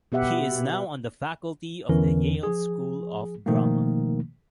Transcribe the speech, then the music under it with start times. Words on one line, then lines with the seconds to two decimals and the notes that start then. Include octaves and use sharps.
He is now on the faculty of the Yale School of Drama.
0.12 B2 B3 G4 E5 F#5
1.89 E2 D3 E3 C#4 A#4
2.43 F3 G#4
3.46 B2 D#3 F3 A3 A#3